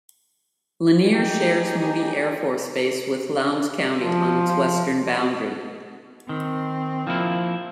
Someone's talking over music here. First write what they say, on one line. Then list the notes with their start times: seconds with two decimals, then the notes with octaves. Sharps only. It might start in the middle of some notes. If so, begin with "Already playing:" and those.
Lanier shares Moody Air Force Base with Lowndes County on its western boundary.
1.10 D#4 G4 G#4
4.04 F3
6.29 D#3 C4
7.07 F3 A#3 E4